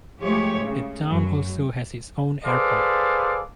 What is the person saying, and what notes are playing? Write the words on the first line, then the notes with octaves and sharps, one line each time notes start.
The town also has its own airport.
F3 G#3 A3 G4 C#5
C#3
F#2 F#3
G#4 A4 B4 C5 D5 F5